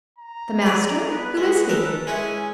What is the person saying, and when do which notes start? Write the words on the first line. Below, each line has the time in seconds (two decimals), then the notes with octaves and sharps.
"The master?--who is he?"
0.18 A#5
0.62 G#4 D5
1.07 B3 B4
1.37 G#3 F#4
1.69 A4 A#4
2.07 G#3 C#4 E4 G#5